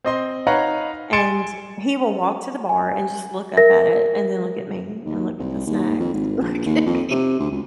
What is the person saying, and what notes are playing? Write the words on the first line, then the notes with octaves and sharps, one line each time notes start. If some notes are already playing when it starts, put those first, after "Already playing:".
and he will walk to the bar and just look up at it and then look at me and look at the snacks, look at me.
C4 D#5 C6
D#4 B4 C#5 F5 F#5 A#5
G#5 C6 A6 C#7 D7 E7
G#5
A#4 E5 A#6
D#2
C2
D#2
F2
G#1
A#1
D#2
F2
C3
D2
C#2